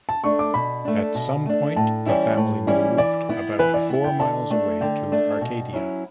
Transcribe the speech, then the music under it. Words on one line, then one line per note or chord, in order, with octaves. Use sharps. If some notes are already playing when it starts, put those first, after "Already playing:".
At some point, the family moved about four miles away to Arcadia.
A5
A3 D4 C#6
D6
B2 B5
A3 D4
B2
A3 D4
A2 A5
E3 G3 C#4 E4
A2
E3 G3 C#4 E4
E3 D5
B3 E4
E3 B4
D5
B3 E4
G5
D3 A5
A3 D4
D3 G5
A3 D4
B2
F#3 C#4 E4